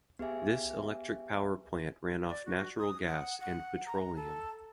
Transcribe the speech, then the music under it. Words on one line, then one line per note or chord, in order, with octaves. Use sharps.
This electric power plant ran off natural gas and petroleum.
B3 G4 G#4 E5 G#5
D5
F#4
D#6
F#5
F#5
A#5
A4